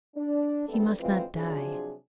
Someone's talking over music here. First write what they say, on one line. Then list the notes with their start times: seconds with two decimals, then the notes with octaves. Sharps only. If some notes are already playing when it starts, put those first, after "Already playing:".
He must not die.
0.16 D4
0.68 G3 A3 B3 C4 D4 A4
0.99 D2 E3 G#3 C4 F4 B4
1.35 C3 F3 F#3 D4 G#4